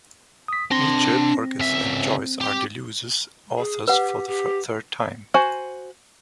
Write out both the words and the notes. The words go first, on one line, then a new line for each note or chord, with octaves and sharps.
Nietzsche, Borges, and Joyce are Deleuze's authors for the third time.
D#6 B6
C4 D4 C6 A#6
C#2 E5
G4
G#4
G4 B4 F#5
G4
F#4 C5 G#5